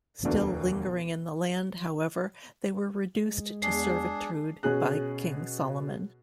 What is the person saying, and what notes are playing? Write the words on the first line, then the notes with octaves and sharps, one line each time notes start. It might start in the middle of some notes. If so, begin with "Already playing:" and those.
Still lingering in the land, however, they were reduced to servitude by King Solomon.
E1 D2 B2 D4
G#3
E2 D4 G#4 C7
B2 C#4 G#4 F#6